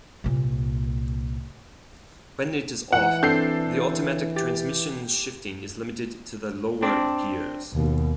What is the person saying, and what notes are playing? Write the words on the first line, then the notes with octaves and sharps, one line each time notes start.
When it is off, the automatic transmission shifting is limited to the lower gears.
C2 A#2
E3 F#5
C4 D4 A4 G6 C7
G4 A6
C4 D4
D#2 B2